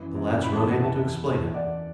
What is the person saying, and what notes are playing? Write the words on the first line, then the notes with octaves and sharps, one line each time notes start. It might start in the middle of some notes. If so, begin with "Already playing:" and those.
The lads were unable to explain it.
Already playing: F#2 E3 B3
F#2
E3 B5
A5
A3 F#5
E5 A5
E2
E2
E2 D5 F#5